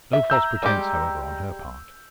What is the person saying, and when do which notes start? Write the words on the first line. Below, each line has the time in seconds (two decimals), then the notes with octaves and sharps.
No false pretence, however, on her part.
0.13 E5
0.30 A#5 E6 G6
0.63 G3 G#3 G4